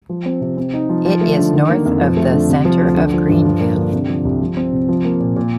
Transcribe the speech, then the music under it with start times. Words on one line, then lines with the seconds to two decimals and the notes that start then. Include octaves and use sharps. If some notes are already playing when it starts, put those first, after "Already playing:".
It is north of the center of Greenville.
0.09 F3
0.26 C4
0.41 C3
0.57 C4
0.73 D#4
0.89 F3
1.05 F3
1.21 A3
1.37 D3
1.53 D#3
1.69 A#3
1.86 F2
2.01 F3
2.17 A3
2.33 D3
2.49 C3
2.65 F3
2.81 D2
2.97 D3
3.13 F3
3.29 G2
3.45 F3
3.61 A#3
3.77 D3
3.93 C3
4.09 F3
4.25 C2
4.41 F3
4.57 C4
4.73 C3
4.89 F3
5.04 A#3
5.20 A#2
5.36 A#2